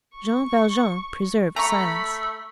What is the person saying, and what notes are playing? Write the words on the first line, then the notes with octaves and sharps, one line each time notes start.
Jean Valjean preserved silence.
C#6
A3 A#5 B5 C#6